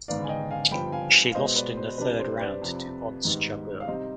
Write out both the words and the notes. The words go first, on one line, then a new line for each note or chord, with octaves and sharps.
She lost in the third round to Ons Jabeur.
G#2 D#3 B3 D5 F5
G#5
D#5 G5
F5 G#5
G2 F3 B3 G5 B5
F5 G#5
F5
B2 G#3 B3 C5 D#5
B4 D5
C5
C3 G3 D4 B4
C5
B4 D5
F2 C3 F3
G#2 D#3 G3 B3 D#4
F5
C3 G3 C4 D#4 C5 D#5